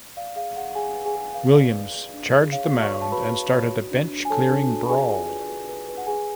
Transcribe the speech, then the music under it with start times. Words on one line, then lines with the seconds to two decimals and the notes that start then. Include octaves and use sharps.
Williams charged the mound and started a bench-clearing brawl.
0.16 D5 F5
0.36 G#4 F5
0.56 G#4 F#5
0.75 G#4 G#5
0.95 B4
1.05 G#4 G#5
1.16 G#4
1.34 B4 F5
1.54 D5
1.74 B4
1.94 G#4
2.14 D4
2.34 G#4
2.52 C#5 F5
2.73 F#4
2.82 C#5 C#6
2.92 F#4
3.02 A5
3.12 F#4 B4 B5
3.32 F#4
3.51 C#5
3.71 F#4
3.91 D4
4.11 D4
4.25 G#5
4.30 A4 C#5 A5
4.50 D4
4.69 F#4
4.89 G#4 D5 G#5
5.09 F4
5.29 B4
5.48 B4
5.68 B4
5.88 B4
5.97 F#5
6.07 G#4 G#5